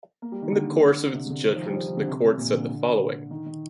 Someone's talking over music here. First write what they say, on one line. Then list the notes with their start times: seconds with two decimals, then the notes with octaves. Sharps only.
In the course of its judgment, the Court said the following.
0.22 A#3
0.32 G3
0.42 D#3
0.53 D3
1.15 C3
1.30 D3
1.46 D#3
1.56 F3
1.66 G3
1.77 F3
1.86 D#3
1.97 D3
2.07 C3
2.23 C3
2.38 A#2
2.53 D3
3.31 D#3
3.46 D#3